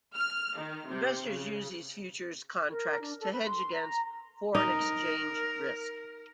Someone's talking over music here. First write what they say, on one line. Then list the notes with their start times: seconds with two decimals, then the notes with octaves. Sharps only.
Investors use these futures contracts to hedge against foreign exchange risk.
0.15 F6
0.57 D#3
0.88 C3
1.26 C#3
2.71 A#4
3.00 D4
3.18 A4
3.33 B4
3.45 C6
3.71 A#5
4.55 D#4 A#4